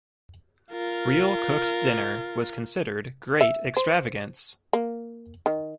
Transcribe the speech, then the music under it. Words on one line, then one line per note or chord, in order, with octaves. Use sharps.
Real cooked dinner was considered great extravagance.
F4 A#4
E5
C5
A#3
D#3